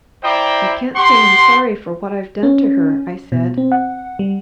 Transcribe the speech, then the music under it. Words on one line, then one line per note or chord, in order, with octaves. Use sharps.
"I can't say I'm sorry for what I've done to her," I said.
E4 C5 D5 G5 A#5
G4 F#5 C6
C#4
B2
C4
F#5
G3